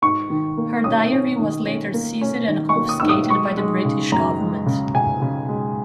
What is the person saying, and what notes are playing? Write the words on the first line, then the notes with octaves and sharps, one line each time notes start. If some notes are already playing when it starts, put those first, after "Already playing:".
Her diary was later seized and confiscated by the British government.
G#2 C#6
D#3
A#3
C#4 D#6
C#4
D#3
C#4
A#3
C#4
D#3
C#6
A#3
D#6
G#2 E6
D#6
G#3 C#6
G#3
C#3
F#2 A#5
G#3
C#3
C#3 G#5
C#3
G#3